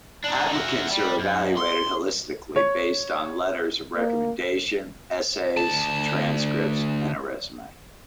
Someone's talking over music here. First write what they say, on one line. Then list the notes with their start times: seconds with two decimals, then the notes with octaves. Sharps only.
Applicants are evaluated holistically based on letters of recommendation, essays, transcripts, and a resume.
0.24 D4 D#4
0.53 F#4 E5
0.90 G3
1.19 F#2
1.57 C6
2.56 C#5
3.96 A#3
5.57 D2 A5